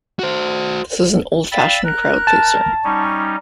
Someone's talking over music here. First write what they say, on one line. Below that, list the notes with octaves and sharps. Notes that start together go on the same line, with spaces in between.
This is an old-fashioned crowd-pleaser.
F#4 C5
D5 F5 G5 B5 E6 A6
A#4 F#6
A5
G3 C#4 D#4 C#6